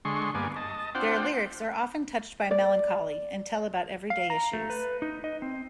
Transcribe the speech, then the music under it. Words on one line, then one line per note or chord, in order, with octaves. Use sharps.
Their lyrics are often touched by melancholy and tell about every-day issues.
D3 G#3 C6 C#6
G2 A#3 B3 D5 G#5
D#5 A5
C4 D4 F4 C5 F#5 G5
D5
F5
A#5
A3
B4
D#4
D#5
C4